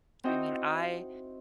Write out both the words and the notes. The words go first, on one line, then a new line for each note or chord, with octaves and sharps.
I mean, I
C4 D#4 E4 F#4 D#5 G5